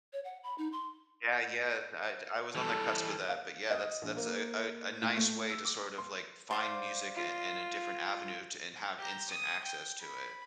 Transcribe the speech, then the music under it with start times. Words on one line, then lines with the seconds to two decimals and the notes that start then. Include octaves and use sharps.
Yeah, yeah, I j I was on the cusp of that, but yeah, that's that's a a a nice way to sort of, like, find music i in a different avenue to, and have instant access to it.
0.13 C#5
0.25 F#5
0.43 B5
0.58 D#4
0.72 C6
2.55 E3 G3 A4
3.28 F5
3.70 D#5
4.02 A#1
4.16 A#3
5.02 A2
5.17 A3
5.50 E6
5.65 D6
5.98 C6
6.51 C5 D5 F5
7.15 F4
8.98 G4 A#5
9.29 D#6
9.65 G5
10.01 B5